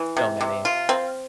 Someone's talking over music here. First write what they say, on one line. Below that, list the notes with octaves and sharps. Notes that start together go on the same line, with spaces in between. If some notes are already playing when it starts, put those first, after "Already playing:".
So many.
Already playing: E3
C3
C3
F4
C4